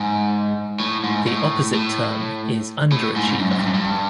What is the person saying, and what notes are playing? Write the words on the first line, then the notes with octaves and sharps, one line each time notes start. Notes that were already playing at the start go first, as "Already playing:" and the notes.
The opposite term is underachiever.
Already playing: G#2
A2
G#2
A2
A2
A2
G#2
G#2
F#2
G#2
G2
F#2
G2